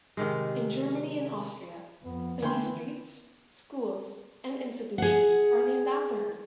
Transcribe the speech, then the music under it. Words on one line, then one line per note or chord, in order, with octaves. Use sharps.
In Germany and Austria, many streets, schools and institutions are named after her.
C3 D#3 G#3
F2 B3
D3 E3 A3 B3 C#4 B4 G5 C6
G#4 F#5